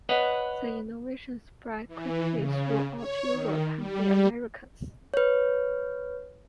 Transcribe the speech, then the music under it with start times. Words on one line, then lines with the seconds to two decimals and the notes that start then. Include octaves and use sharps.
The innovation spread quickly throughout Europe and the Americas.
0.09 B4 C#5 D#5 F#5
1.87 E3
2.33 C#3
2.96 C#5
3.31 D#3
3.75 G3
5.14 B4 C#5